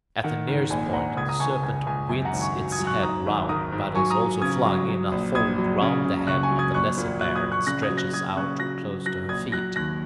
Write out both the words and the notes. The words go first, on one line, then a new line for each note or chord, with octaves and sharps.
At the nearest point, the Serpent winds its head round, but is also flung in a fold round the head of the Lesser Bear, and stretches out close to her feet.
D#3 F#5
G#2
A#1 G#5
A#1 F#5 A#5
C#2 D#6 G#6
A#5 D#6
C#2 G#5 C#6
G#5
C#2 G#5
C#2 G#5
F#2 G#5
F#5 A#5
G#1
G#5 C#6
F#3
D#6 G#6
F#3
C#6 F#6
G#2 A#5 D#6
G#1
D#3 A#5 D#6
G#2
F#3 G#5 C#6
A#5 D#6
F#3
C#3 D#6 G#6
F#3
F#3
A#1
A#1 D#6 G#6
F#3
C#3
C#3
C#2 C#6 F#6
G#5 C#6
F#3
D#6 G#6
A#1 C#6 F#6
A#2
F#3 C#6 F#6
D#6 G#6
A#1
C#6 F#6
C#3 F#6 A#6
D#6 G#6
F#3
F#6 A#6
F#3 D#6 G#6
C#3 C#6 F#6
F#3 F#6 A#6
F#3
F#3 F#6 A#6
A#1 D#6 G#6
F#3 F#6 A#6
D#2 F#6 A#6